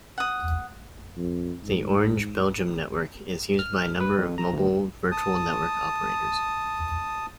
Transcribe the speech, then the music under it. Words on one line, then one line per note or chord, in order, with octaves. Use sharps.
The Orange Belgium network is used by a number of mobile virtual network operators.
F#5 D#6
F2
G#2
F6
B4
F2
A#5
D2
A5 D#6